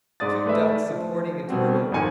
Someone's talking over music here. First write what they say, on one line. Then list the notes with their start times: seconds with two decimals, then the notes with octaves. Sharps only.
Two ducks supporting a turtle!
0.20 G#2 G#3 D5 D#6 A6
0.46 A3 B4 D5 E5
0.89 F3
1.49 B2 G3 C4 F#4
1.92 G#1 F2 D#3 G#5 C#7